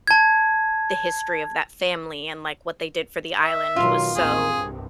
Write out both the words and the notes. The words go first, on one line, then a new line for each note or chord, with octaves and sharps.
the history of that family and, like, what they did for the island was so
A5 G#6
E5
B2 D#3 F#3 F4
A1 D#2 C4 G#4
C2 G2